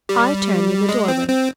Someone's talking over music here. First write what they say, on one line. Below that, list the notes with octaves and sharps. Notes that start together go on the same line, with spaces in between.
I turned in the doorway.
G3
G#3
C4
C4